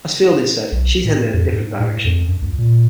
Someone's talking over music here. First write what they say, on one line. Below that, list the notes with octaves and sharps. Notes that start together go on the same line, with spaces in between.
As Fielding said, she's heading in a different direction.
B1
A2
F2
G#2
A2
F2
F#2
C#2
A#2